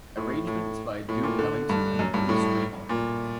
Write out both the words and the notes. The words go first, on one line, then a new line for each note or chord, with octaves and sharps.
Arrangements by Duke Ellington and Billy Strayhorn.
A2
A2
A2
A#2
D3
G2
F#2
G2
A2
A#2